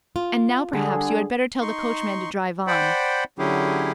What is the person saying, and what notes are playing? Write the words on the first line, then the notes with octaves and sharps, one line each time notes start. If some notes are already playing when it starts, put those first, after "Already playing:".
And now, perhaps, you had better tell the coachman to drive on.
F4
D3 G3 G#4
D#4 C6 C#6
C5 D5 F#5 G5 B5
D3 F#3 C#4 E4 G4 G#4